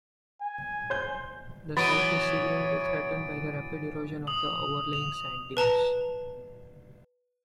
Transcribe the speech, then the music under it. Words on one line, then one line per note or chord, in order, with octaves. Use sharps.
The site is severely threatened by the rapid erosion of the overlying sand dunes.
G#5
C5 G6
E3 F#3 B3 C#5 B5 A6 D7 D#7
D#6 F#7
F7
B4 A5 A#5